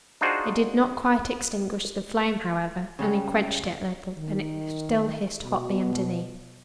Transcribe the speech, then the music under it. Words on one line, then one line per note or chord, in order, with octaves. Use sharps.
It did not quite extinguish the flame, however--only quenched it a little--and it still hissed hotly underneath.
D4 D#4 F4 F#4 G#4 C5
C#3 G3 C#4
D#3
B2